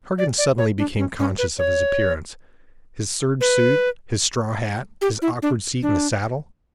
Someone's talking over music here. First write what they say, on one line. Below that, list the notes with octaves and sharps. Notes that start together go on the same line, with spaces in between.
Cargan suddenly became conscious of his appearance--his serge suit, his straw hat, his awkward seat in the saddle.
D5
D5
C#5
D4
C#4
C#4
B4
C#5
B4
G4
E4
D4
D4